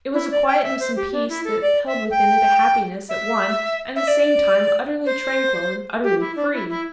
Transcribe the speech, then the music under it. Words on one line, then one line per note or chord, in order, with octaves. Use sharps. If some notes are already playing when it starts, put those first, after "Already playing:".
It was a quietness and peace that held within it a happiness at one and the same time utterly tranquil and utterly free.
E4
D5
G5
E5
C5
G4
D4
E4
A4
D5
E5
G5
E5
E5
D5
C5
G4
E4
D4
E4
E4